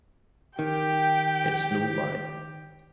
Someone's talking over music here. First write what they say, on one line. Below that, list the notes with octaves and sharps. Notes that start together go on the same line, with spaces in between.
It's no lie.
D#3 G4 G5